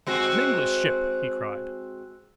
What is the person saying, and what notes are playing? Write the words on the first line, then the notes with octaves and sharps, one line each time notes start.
"An English ship!" he cried.
G#3 C4 F#4